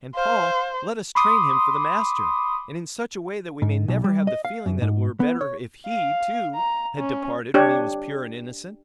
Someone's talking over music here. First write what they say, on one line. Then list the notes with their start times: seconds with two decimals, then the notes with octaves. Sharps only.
And, Paul, let us train him for the Master and in such a way that we may never have the feeling that it were better if he, too, had departed when he was pure and innocent.
0.15 C5 F5
1.15 B5 C6 D6 D#6
3.62 G#2
3.88 B1
4.04 G3
4.27 D#5
4.45 F5
4.66 F#2
4.82 G#2
5.20 B3
5.41 C#5
5.87 F5
6.55 A#5
6.98 C#4
7.54 D4 G4 C#5